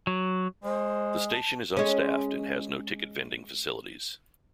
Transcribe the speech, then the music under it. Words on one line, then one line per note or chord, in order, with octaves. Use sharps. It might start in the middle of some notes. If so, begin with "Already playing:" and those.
The station is unstaffed, and has no ticket vending facilities.
F#3
G#3 C5
A5
G#3 C#4